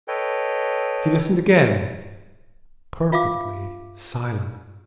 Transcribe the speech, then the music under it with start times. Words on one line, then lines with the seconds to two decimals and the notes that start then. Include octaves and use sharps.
He listened again: perfectly silent.
0.08 A4 B4 C#5 D#5 G5
3.12 F4 E5 F5 D6